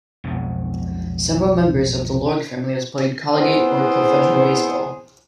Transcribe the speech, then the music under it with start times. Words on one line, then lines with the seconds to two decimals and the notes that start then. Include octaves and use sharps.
Several members of the Iorg family have played collegiate or professional baseball.
0.24 B1 F2 B2 G#3
3.35 E2 B3 C4 G#4 C5